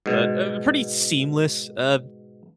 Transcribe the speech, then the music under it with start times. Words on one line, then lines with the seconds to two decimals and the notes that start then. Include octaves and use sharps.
But, um, pretty seamless, um,
0.06 G#2 B2